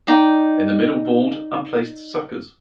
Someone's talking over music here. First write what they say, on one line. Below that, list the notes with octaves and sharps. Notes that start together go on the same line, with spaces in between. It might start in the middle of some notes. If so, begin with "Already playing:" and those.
In the middle board are placed suckers.
D#4 D5 G5